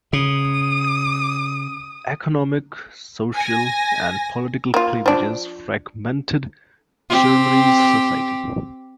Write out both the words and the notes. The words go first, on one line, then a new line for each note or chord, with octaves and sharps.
Economic, social, and political cleavages fragmented Germany's society.
C#3 D#6
G#5 A#6
A#3 F4
F3 D4
C4 G4